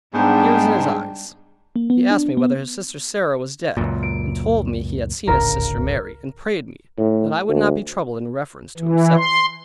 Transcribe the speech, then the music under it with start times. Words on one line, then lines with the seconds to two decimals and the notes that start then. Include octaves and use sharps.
With tears in his eyes, he asked me whether his sister Sarah was dead; and told me he had seen his sister Mary; and prayed me, that I would not be troubled in reference to himself.
0.14 G#2 G3 B3 D4 G5
1.76 A#3
1.90 B3
2.11 D4
2.37 B3
3.77 C#2 F#2 A#2
4.03 D7
5.27 D1 G#1 C#2 A#4
6.98 A2
7.49 D2
8.77 E3
9.17 C6